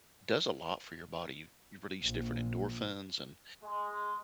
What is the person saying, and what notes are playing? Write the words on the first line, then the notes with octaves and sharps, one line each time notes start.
does a lot for your body. You you release different endorphins, and,
A#1
G#3